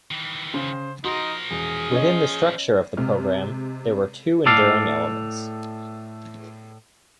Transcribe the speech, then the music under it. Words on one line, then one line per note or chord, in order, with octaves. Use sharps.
Within the structure of the program, there were two enduring elements.
D#3 E3
C#3 C5
F3 D#4 F#4 A#4 C6
E1 G#4
C#4 C#5 D#5
C3 G#3 F6
A2 A4 D5 F5